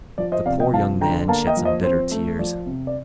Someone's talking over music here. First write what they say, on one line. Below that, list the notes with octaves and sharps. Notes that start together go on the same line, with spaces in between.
The poor young man shed some bitter tears.
F3 D5
C5 D#5
C3 D5 F5
D#5 G5
F3 F5 A5
D3 G5 A#5
A#3 F5 A5
D#5 G5
F3
C5 D#5
C4 C5
A3
F3 D5
C3
D5